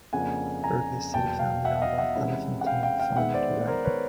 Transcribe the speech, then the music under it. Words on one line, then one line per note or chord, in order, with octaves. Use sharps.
Burgess said he found the novel "elephantine fun" to write.
F2 C#3 F3 A#3 D4 F#5 G#5
G#5 A#5
E2 B2 F#3 A#3 G5 A5
F5 G5
E5 F#5
D#5 F5
E5 F#5
C3 E3 G#3 C#4 E4
F#5
F5 G5
F5 G5
F5 G5
D#3 G#3 B3 D#4 E5 F#5
C5 D5
A#4 C5
B4 C#5